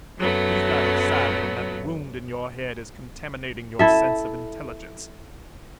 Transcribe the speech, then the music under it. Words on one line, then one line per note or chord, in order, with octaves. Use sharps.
You've got excited, and that wound in your head is contaminating your sense of intelligence.
F#2 F#3 A3 B3
E4 A4 E5